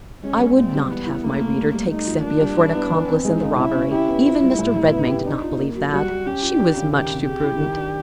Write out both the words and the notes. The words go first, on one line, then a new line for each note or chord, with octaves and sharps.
I would not have my reader take Sepia for an accomplice in the robbery. Even Mr. Redmain did not believe that: she was much too prudent!
G#3 C#4
G#3
A#2 C4
G3
E3 B3
E4
A3 A#3
A3
G3
G3
A3 D#4
F3
A#3 D4
G3
E4
B3
E3
C4
G#3 D#4
C#3
C#4 E4
C#4
E4 G4
B3
E4 F4
G3
A2
A2
B3
G4
D4 D#4
F4
A#3
F#3
G3 F#4
G3
C#4 G4
F4
D4
C#3
D#3 G4
C3
G4 G#4
E4
D#3
D4